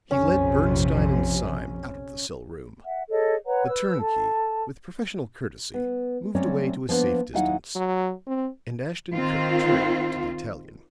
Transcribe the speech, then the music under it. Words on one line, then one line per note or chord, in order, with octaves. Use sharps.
He led Bernstine and Sime out of the cell room; the turnkey, with professional courtesy, moved away to a safe distance, and Ashton-Kirk turned to the Italian.
A#1 F2 C3 C#4
E5 F#5
G#4 A4 C#5 D#5
B4 C#5 F#5 A#5
B4 E6
A4 A5
B3
F#3 A3 C4 C#4 C#5 D5
F3 A#3 B3 D4
D#2 F#3 D#4 E4 F5 F#5
F#3
C4
D#3 C4 F4